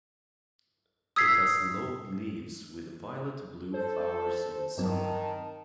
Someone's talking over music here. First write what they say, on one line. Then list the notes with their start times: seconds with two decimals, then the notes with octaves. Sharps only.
It has lobed leaves with violet-blue flowers in summer.
1.16 D#6 E6 G#6 B6 C7
3.74 A4 C5
4.78 G2 D#3 F#3 C4 A5